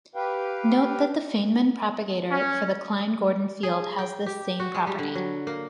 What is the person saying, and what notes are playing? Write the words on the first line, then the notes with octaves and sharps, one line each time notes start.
Note that the Feynman propagator for the Klein-Gordon field has this same property.
G4 B4 F5 G5
C#4
G#4
G5
G4
F#4
G#3
G3
D3
F#3
A#3